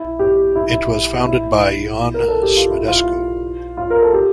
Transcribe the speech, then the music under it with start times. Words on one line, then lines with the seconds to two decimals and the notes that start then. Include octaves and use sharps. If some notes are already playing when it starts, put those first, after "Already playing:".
It was founded by Ion Smedescu.
Already playing: E4
0.19 G4
0.55 E4
0.70 E4
1.27 E4
2.14 A#4
2.28 A4
2.42 G4
2.57 F4
2.70 E4
2.88 F4
3.77 F4
3.90 A#4
4.02 A4
4.14 G4